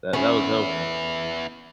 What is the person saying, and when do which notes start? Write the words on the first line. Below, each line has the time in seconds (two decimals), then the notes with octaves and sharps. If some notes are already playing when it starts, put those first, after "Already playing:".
That that was helpful.
0.13 B3 C#4 E4